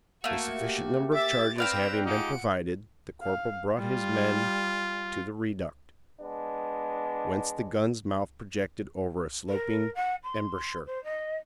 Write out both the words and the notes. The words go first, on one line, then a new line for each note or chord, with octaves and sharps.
A sufficient number of charges having been provided, the corporal brought his men to the reduct, whence the gun's mouth projected over a sloping embrasure.
A3 A#3 F#4
G4
E5 D6 A6
C4 B4 D5 F5 G5 A#5 E7
G#3 D#4 F4 G4 F#5 D7
F5
G3 F4
G#3 B3 D4
A#4
F#5
C6
C5
D#5